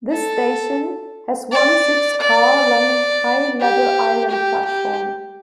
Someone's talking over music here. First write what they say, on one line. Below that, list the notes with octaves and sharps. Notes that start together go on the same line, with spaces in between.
This station has one six-car-long high-level island platform.
A4
D5
D5
G4
G4
G4